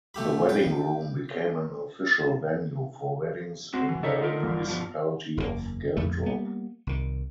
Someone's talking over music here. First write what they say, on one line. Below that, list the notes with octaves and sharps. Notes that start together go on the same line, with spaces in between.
The wedding room became an official venue for weddings in the municipality of Geldrop.
B1 A3 G4 B5
B4 G5
A2 C4 F#4
E3
C#3 D#4 A4 C#5 E5
A2 D3 F4 A#4
G1
G2 B2 F3
F#1 E2 G#2 A#3
A#1 F2 D3 A3
G3 A#3 B3
C2 D#3